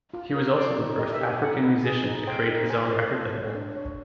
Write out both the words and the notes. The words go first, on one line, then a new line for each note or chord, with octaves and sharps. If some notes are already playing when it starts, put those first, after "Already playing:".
He was also the first African musician to create his own record label.
F4
A#4
C5 D5
D#4
G4 D#5
E5
G4
G#5
D#4 F#5
B4
G#4
D#4
C5 G5
D#4
C5 G#5
C5
A4
C#5
D4
C#5